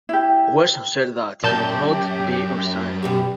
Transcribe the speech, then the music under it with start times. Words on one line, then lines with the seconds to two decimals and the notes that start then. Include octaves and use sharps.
Western said that he would not be resigning.
0.09 E4 G4
1.43 F#2 A#2 G4 A5 G6
3.03 B2 G3 G4